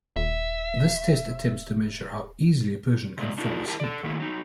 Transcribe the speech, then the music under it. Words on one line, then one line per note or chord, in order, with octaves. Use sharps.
This test attempts to measure how easily a person can fall asleep.
D#1 E5
C3 G#3 D5
D4 D#4 F4 A4 A#4
E4 G4 A#4 A5
A4 D5
D#3 A3 A#3 E4 G4
F#3 D#4